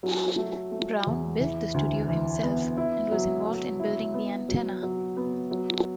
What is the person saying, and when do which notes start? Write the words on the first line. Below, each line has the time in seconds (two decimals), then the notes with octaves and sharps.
Brown built the studio himself, and was involved in building the antenna.
0.03 F#3
0.37 A3
0.72 A3
1.07 E2
1.40 E3
1.74 D2
2.08 E3
2.43 B3
2.77 E4
3.12 F#3
3.46 A3
3.80 E4
4.14 B3
4.49 F#3
4.83 F#3
5.17 B3
5.51 F#3